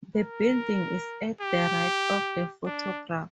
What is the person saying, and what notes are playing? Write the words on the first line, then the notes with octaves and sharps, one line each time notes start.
The building is at the right of the photograph.
A#4
G4
D4